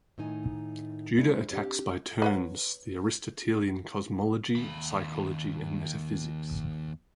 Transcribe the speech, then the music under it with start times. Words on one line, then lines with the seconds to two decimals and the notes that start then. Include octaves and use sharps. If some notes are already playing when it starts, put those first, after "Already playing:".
Judah attacks by turns the Aristotelian cosmology, psychology, and metaphysics.
0.18 A2 D#3 D#4 G#5
1.19 G#3 C4 D4 E4
1.51 C4 D4 G4
2.22 B4 C#5 F#5
4.55 D#2 B5